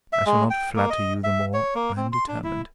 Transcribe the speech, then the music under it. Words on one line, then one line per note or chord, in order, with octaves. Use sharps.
I shall not flatter you the more, I am determined.
E5
G#3
G5
A#3
D#5
E5
C#5
A#3
C4
C6
D4
E4